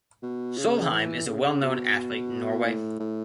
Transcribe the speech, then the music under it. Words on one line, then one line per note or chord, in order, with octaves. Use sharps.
Solheim is a well known athlete in Norway.
B2
C#3
E3
C#3
B2
A2
A2